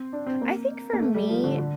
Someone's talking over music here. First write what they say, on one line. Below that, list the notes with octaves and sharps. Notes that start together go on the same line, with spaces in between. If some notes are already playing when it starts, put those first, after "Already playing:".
I think for me,
Already playing: C4
D4
C4
A#3
A#3
A3
G3
F3
D3
D3